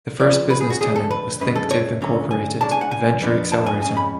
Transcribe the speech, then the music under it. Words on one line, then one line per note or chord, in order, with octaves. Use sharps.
The first business tenant was Thinktiv, Incorporated a venture accelerator.
C#2 C#3 F3 B3 D5
B4
G#4
F#4
F2 D3 F#3 A3 G#4
A4
B4
F#2 D3 G#3 C#4 B4
A4
C#5
D2 D3 F#3 C#4
G#5
C#3 G#3 D4 A5
G#5
F#5
G#5
F2 F3 B3 D4
A5
G#5
F2 C#3 G#3 C#4 G#5
B5